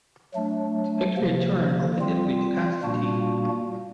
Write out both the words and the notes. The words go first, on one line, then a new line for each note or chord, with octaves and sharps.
The victory at Turin opened Italy to Constantine.
F#3 A3 D4
C3 F3 A#3
G3 C4 F4
A#2 G3 A#3 D4 F#4